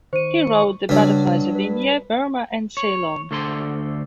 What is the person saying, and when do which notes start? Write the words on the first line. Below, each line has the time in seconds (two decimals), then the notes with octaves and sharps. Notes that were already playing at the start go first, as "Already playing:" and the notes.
He wrote "The butterflies of India, Burmah and Ceylon".
0.13 D#3 C5 C#6 D#7
0.89 G2 C#3 F#3 D4
1.55 B4
2.77 C#5
3.31 D2 D3 A4 C5 D#5 C6